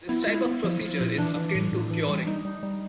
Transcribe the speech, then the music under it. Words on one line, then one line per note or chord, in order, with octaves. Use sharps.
This type of procedure is akin to curing.
B3 E4
G#3 F4
E4
B3
F3
F3
A#2
E3 D4
E3
A2
A2
E3
G3
G3 D#4
G3
G3